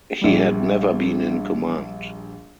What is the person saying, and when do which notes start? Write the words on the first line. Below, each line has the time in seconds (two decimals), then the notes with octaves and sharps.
He had never been in command.
0.21 A#1 G3